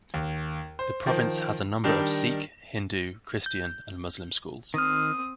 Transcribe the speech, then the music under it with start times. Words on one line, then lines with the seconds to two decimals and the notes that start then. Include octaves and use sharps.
The province has a number of Sikh, Hindu, Christian, and Muslim schools.
0.14 D#2
0.79 C5
1.06 D#3 F3
1.84 D#3 G3 D4 D#4
3.46 G6
4.74 D#3 C4 D#6 F6